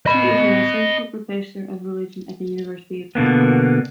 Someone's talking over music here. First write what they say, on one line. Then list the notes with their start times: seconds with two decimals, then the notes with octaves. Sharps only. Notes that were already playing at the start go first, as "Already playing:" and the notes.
She is an associate professor of religion at the University of Cape Town.
0.06 D#5 B5
3.15 B2 D3 A#3 B3